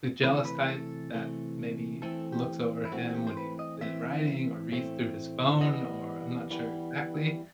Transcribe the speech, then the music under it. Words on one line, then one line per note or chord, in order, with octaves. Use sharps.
the jealous type that maybe looks over him when he is writing, or reads through his phone, or I'm not sure exactly,
C3 E3 A3 B4
A4
B4
A4
C3 E3 A3
E3 A3 C4 A4
G4
E4
E3 A3 C4 F#4
F#4
G4
C5
B4
D#5
A2 E3 A3 C4 E5
A2 E3 A3 C4
E3 G3 B3 D#5
E3 G3 B3